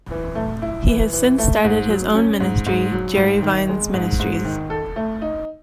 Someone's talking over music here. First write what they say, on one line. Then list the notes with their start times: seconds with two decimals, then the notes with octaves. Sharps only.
He has since started his own ministry, Jerry Vines Ministries.
0.11 E3
0.35 A3
0.62 E4
0.87 E3
1.13 E3
1.38 A3
1.64 G#2
1.89 F#3
2.15 C#4
2.40 G#2
2.66 G#2
2.92 F#3
3.17 G#2
3.42 D#3
3.69 G#3
3.94 G#2
4.19 G#2
4.45 D#3
4.70 A4
4.96 A3
5.22 D#4